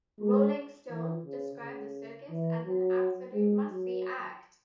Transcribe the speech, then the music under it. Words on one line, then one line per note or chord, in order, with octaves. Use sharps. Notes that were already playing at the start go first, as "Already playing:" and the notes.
"Rolling Stone" described the circus as an "absolute must-see act".
G#3
E3
C#3
C#3
E3
F#3
G#3
F#3